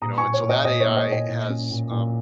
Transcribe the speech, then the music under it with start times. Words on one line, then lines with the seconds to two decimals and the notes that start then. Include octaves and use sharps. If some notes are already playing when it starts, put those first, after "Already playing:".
you know? And so, that AI has, um
0.02 A#2 A#5 D#6
0.18 G#5 C#6
0.23 A#2
0.34 C#5
0.44 A#2
0.49 D#5
0.65 A#2 D#5
0.80 C#5
0.86 A#3
0.97 D#5
1.07 A#2
1.12 D#5
1.29 A#2
1.49 C#4
1.71 A#2
1.91 A#2